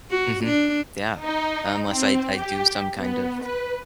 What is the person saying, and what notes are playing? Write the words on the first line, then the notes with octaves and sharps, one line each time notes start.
Mhm. Yeah. Unless I I do some kind of
F#4
D4
D#4
C4
G4
B3
B4